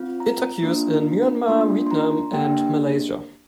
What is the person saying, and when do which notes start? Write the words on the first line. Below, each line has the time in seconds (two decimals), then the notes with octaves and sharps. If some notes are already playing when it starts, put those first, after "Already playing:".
It occurs in Myanmar, Vietnam and Malaysia.
Already playing: C4 F4
0.20 A#5
0.63 A#3 D4 F4
1.48 A#3 D4 F4 C6
1.87 C6
1.91 A#5
2.33 A#3 D4 G4 G5